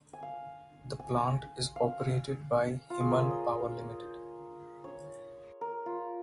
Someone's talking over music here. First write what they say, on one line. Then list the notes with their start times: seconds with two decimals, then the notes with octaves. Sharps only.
The plant is operated by Himal Power Limited.
0.13 G#5
0.22 F5
0.99 G#5
1.76 F5
2.90 F4
3.00 G#4
3.11 A#4
3.21 C#5
3.31 D#5
4.84 C#5
5.61 A#4
5.86 F4